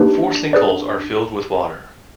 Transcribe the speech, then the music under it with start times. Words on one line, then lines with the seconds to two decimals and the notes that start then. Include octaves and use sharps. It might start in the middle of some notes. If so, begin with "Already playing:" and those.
Four sinkholes are filled with water.
Already playing: A#3 D4 D#4 G4 B4
0.53 G#4 B4 D5